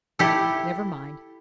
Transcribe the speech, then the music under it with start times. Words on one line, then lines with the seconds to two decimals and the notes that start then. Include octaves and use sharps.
Never mind!
0.19 E4 G4 A4